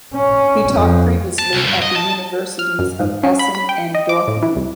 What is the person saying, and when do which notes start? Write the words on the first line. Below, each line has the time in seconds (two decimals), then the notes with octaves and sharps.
He taught previously at the Universities of Essen and Dortmund.
0.15 C#4
0.74 F2
1.39 A5
1.53 C2
1.66 G2
1.82 D#5
1.96 A5
2.59 F6
2.79 F#2
3.00 G#2
3.23 C#4
3.39 B5
3.55 B5
3.69 G5
3.95 D#5
4.09 D6
4.28 A2
4.43 E3
4.56 C2